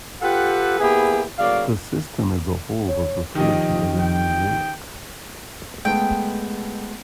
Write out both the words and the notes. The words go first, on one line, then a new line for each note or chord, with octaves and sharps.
The system as a whole was referred to as a "mosaic".
F4 G4 A4 B4 F#5 G5
A#3 B3 E4 G4 G#4
A2 C#3 F#3 A#3 D5 F5
C#5
D#3 F3 G4 D#5
G5
G#3 A3 B3 G5